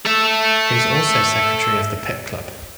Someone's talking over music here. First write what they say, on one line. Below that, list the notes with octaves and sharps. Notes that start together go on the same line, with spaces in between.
He was also secretary of the Pitt Club.
A4 E5